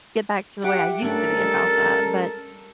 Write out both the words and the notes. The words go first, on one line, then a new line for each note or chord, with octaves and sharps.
get back to the way I used to be about that. But
G4 E5 F#5 G5
A3 C#4 D4 A4 A#4
G3 G#3 C#4